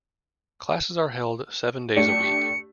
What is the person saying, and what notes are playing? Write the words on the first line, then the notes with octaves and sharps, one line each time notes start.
Classes are held seven days a week.
A3 D4 G4 C#7